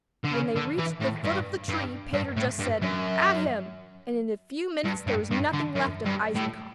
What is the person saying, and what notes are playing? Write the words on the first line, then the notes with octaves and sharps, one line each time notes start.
When they reached the foot of the tree Peter just said: 'At him!' And in a few minutes there was nothing left of Eisenkopf.
D3
C#3
D3
E3
A2
G2
G2
G2
A2
G2
F#2
G2
G2
G2
D3
F#2
G2
A2